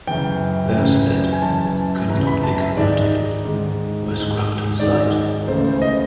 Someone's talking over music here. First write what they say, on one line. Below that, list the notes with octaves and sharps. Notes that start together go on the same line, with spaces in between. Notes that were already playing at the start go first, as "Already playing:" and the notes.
Those that could not be converted were scrapped on site.
F#2 C#3 E3 G5
F#2 C#3 E3
G#5
F#2 C#3 E3 A5
F#2 C#3 E3 A#5
B5
A5
E5
G#2 D#3 G#3 D5
G#2 D#3 G#3
G#2 D#3 G#3
G#2 D#3 G#3 D5
C#2 C#3 E3 A3 C5
C5
D#5